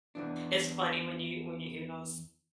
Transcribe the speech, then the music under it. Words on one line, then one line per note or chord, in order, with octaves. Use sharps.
It's funny when you when you hear those
E2 E3 D4